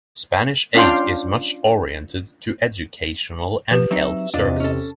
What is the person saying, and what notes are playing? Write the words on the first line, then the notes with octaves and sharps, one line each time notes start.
Spanish aid is much oriented to educational and health services.
C#4 D4 F4 F5 G5 C6
B2 F3 G4 B4
F#3 C4 D#4 E5
E2 C3 D4 F4 D5 D#5
C#4 A4